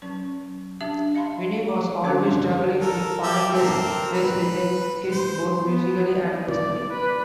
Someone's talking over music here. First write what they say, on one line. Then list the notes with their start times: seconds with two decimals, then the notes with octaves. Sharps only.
Vinnie was always struggling to find his place within Kiss, both musically and personally.
0.02 F#3 C#4 A5 C#6
0.81 D4 G4 E5 A5
1.15 D#5 F5 A5 B5 C6
1.68 D6
2.03 D3 F#3 C#4 D4 C5 D6
2.26 C6
2.81 A4 A#4
3.23 G4 D5 E5
3.54 C4 A4 A#4
4.14 B4
5.11 C5 C6
5.64 B3
6.50 D5
6.91 B4